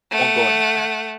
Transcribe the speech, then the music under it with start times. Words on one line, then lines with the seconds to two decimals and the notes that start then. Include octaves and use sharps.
won't go anywhere,
0.11 A3 F#5